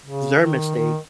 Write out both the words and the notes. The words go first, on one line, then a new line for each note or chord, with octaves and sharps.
their mistake
C#3
D#3
D#3